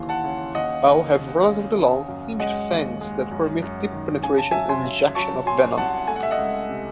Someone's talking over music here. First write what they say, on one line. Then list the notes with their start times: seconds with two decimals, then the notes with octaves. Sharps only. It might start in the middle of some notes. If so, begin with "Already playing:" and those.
All have relatively long, hinged fangs that permit deep penetration and injection of venom.
Already playing: D#2 E3 C6
0.09 F#5 A5
0.24 C#3
0.55 D#2 D#5 F#5
0.87 D#2
1.17 D#2
1.47 C#3
1.78 C#3
2.08 F#2
2.39 G#3 D#5 F#5
2.70 D#2
3.01 G#3
3.31 F#2
3.63 F#2
3.92 D#3
4.23 C#3 G#5
4.38 A5
4.51 F#3 E5 G#5
4.69 G#5 C6
4.85 C#3
5.15 F#3 A5 C#6
5.46 F#3 G#5 C6
5.77 C2 F#5 A5
6.07 A3 G#5
6.16 F#5
6.23 E5
6.31 D#5 F#5
6.38 C#2
6.69 C3